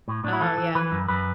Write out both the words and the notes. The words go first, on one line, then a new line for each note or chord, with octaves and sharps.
Oh yeah.
A2
A2 D4
E4
E3 A4
E3
E3 B4
F#2
F#2 B4